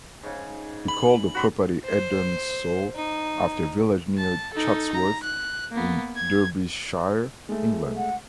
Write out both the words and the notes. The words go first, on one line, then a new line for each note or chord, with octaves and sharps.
He called the property Edensor, after a village near Chatsworth in Derbyshire, England.
G#2 C#3
B5 F#7
F#4 B5 C6
C5
D#4
A5
D#4 A4
A#5
F#6
A#3 B3
G#6
G#3 A3
F#5